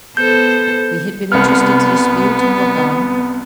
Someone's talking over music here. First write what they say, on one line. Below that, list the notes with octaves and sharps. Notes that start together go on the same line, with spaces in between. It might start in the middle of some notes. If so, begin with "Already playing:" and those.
We had been interested to dispute and look on.
B3 A4 C5 G6
C2 B3 F6